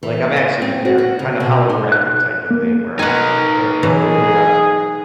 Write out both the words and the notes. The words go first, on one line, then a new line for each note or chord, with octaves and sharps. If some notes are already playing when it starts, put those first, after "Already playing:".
like, I'm actually there, kinda holographic type of thing where there there they are.
E3
D#5
C4
F#4
F#4
C#3
B2
D#4
F#6
A#3
D#4 A#4 B4 F#5 G#5
B2 E3 F#3 G#4